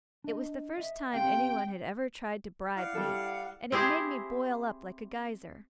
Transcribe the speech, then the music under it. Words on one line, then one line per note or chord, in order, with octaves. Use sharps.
It was the first time anyone had ever tried to bribe me, and it made me boil up like a geyser.
D4 D#5
D#5 E5
C4 G4 F5 G5
E4 D5 F5 F#5
G3 A4
C4 E4 G4 G#4